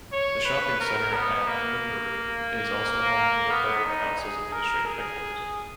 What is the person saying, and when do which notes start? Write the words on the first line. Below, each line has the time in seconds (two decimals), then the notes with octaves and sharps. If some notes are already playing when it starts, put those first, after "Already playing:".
The shopping centre at Linderud is also home to the borough council's administrative headquarters.
0.12 C#5
0.45 B4
0.80 A#4
1.13 B3
1.48 A#3
3.51 B3
3.86 D#4
4.19 G#4
4.53 A#4
4.86 G#4